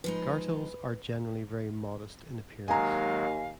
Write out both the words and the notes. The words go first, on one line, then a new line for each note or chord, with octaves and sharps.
Gartels are generally very modest in appearance.
F3 G#3 D#4 B4
D#2 D#3 F#3 G#3 F5 G#5 A#5